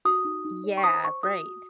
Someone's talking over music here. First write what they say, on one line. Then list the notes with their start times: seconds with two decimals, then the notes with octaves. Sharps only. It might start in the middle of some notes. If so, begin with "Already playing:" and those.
Yeah, right.
0.05 F#4 D#6
0.25 D#4
0.45 D#4
0.64 C#5
0.77 C#6
0.84 C5 D#6
1.03 C5 C#6
1.23 F#4 D#6
1.43 F#4